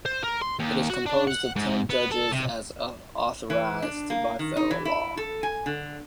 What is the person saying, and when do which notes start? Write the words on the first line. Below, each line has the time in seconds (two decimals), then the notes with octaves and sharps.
It is composed of ten judges as authorized by federal law.
0.06 C5
0.24 A#4
0.41 C6
0.59 D#2
0.90 F#4
1.06 D4
1.27 F#5
1.56 G#2
1.90 B3
2.11 A4
2.32 C3
3.50 E3
3.82 D4
4.10 A#3
4.39 D#3
4.56 D#4
4.71 E3
4.85 E4
5.17 A4
5.43 G#5
5.66 D3